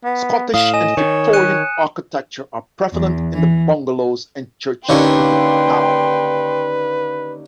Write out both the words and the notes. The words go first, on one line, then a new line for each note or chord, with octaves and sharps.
Scottish and Victorian architecture are prevalent in the bungalows and churches in the town.
B3
A2 F5 D#6 E7
D#5 G#5 E7
D#3 C#5
F#6 C#7 D#7
E2
E3
D#2 D3 C#4 B4 G5 C6